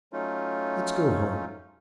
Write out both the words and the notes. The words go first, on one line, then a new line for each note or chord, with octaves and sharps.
Let's go home.
F#3 A3 C#4 D#4 F4